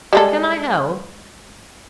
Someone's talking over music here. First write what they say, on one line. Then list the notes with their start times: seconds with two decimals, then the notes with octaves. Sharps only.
"Can I help?"
0.13 G3 G#3 A4